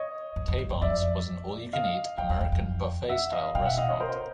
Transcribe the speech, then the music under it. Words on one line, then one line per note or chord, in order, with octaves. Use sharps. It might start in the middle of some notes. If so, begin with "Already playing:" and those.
Taybarns was an all-you-can-eat American buffet-style restaurant.
Already playing: C#5 D#5
F#2
F2
G2
F#2
F2 D5 E5
D#5 F5
E2 F5 G5
E2
F2
F2
E5 F#5
D#5 F5
B2 F5 G5
E5 F#5
D#5 F5
C#5 D#5
A#4 C5